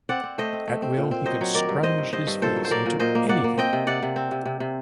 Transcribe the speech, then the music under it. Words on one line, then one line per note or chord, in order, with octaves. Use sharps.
At will, he could "scrunge" his face into anything.
C4 D5 F#5
C4
A3 C5 D#5
C4
A3
C4
A#2
C4
F#3 C5 D#5
F#3
D#3 A#4 D5
G2
G2 C5 D#5
G2
G2 C5 D#5
G2
A#2 A4 C5
F#3
C5
F#3 A#4 D5
A#2
A#2 C5 D#5
A#3
A#3 D5 F#5
A#3
C4 D#5 G5
C3
C3 D5 F#5
C3
C4
C3
C3
C3